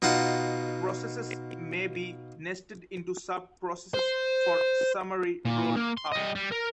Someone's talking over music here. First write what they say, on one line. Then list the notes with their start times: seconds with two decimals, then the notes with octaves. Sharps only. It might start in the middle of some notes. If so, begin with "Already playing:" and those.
Processes may be nested into sub-processes for summary roll-up.
0.02 B2 D#4 F4 F#5 A5
3.94 C5
5.45 A#2
5.76 A#3
5.97 C6
6.12 G3 D#5
6.35 G3
6.52 A#4